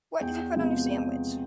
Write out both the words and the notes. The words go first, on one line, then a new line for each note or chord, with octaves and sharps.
What did you put on your sandwich?
E2 G5
C3 F3 G#3 B3